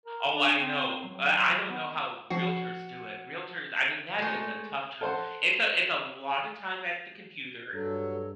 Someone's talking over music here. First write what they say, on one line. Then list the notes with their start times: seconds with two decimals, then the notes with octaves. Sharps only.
Oh, I know. I I don't know how realtors do it Realtors I mean, that is a tough job it's a it's a lotta time at the computer
0.06 A#4
0.35 D4
0.59 C4
1.03 F#3
1.70 B3
2.30 F3 F#4 C7
4.18 G#3 A3
5.01 A4 C5 F#5
7.74 G2 F#3 A4